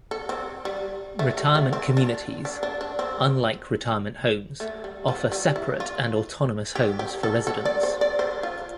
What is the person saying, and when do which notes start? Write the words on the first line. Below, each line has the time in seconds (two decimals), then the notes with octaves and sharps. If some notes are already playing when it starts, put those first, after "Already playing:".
Retirement communities, unlike retirement homes, offer separate and autonomous homes for residents.
0.11 A4
0.29 C4
0.65 G3
1.19 A3
1.38 G3
1.55 A3
1.73 C4
1.97 D4
2.45 D4
2.63 D4
2.81 D4
2.99 C4
4.60 A3
4.84 G3
5.08 F3
5.32 G3
5.56 E4
5.80 F4
6.75 G4
6.99 G4
7.23 A4
7.47 A4
7.65 D5
7.83 C5
8.01 D5
8.19 C5
8.43 F4